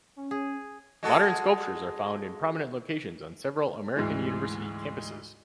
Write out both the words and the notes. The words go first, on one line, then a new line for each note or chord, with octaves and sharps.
Modern sculptures are found in prominent locations on several American university campuses.
C#4
G#4
G#3 F#4 A4
D2 G#2 E3 G#3